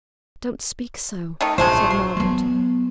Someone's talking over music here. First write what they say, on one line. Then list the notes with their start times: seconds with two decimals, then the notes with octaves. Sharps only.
'Don't speak so!' said Margaret.
1.41 D#3 A3 D#4
1.58 A#1 G#3 A3 C5
1.91 C6
2.17 F#3 B3